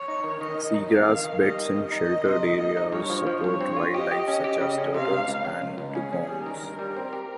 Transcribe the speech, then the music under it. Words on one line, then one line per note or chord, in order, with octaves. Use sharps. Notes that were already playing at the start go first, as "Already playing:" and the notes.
Seagrass beds in sheltered areas support wildlife such as turtles and dugongs.
Already playing: C#5
D#4
D#3
D#3 D#5
D#3
D#4
F2 F5
D#3
D#3
G3 D#5
D#3
G3
D#4 D#5
D#3
C3
D#4
A#3
D#4
G2 C#5
F3
F3
G2 C#5
C4
F4
G4 D#5
G4
C#4
G4
C#3
C#4
C3 F5
C#2
C#2
C#2
C#2
C#2
C#4 G#4
C#4
G3
D#3 A#4
G2
G3
C4
G4